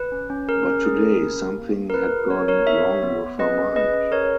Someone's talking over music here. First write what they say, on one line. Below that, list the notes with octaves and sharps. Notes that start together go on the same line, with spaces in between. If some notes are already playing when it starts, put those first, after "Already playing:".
But today something had gone wrong with her mind.
Already playing: B4
C#4
C#4
G#4 A#4
C#4
G#4
C#4
E4
G4
A#3
A#3
A#4
E4 B4
G#4
B3 A#4 C#5
B3 A#4 C#5
D#4 C#5 E5
G4
B3
B3
G#4 B4 D#5
C#4
G#4 B4 D#5
C#4
G#4 A#4 C#5